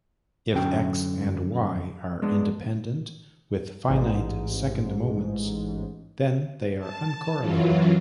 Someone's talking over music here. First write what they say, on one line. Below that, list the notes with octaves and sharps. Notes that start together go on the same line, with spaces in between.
If "X" and "Y" are independent, with finite second moments, then they are uncorrelated.
F#2 D3 C#4 G5
G#3 B3 D4
A1 G#2
A5
F#2 E3 F#3 F4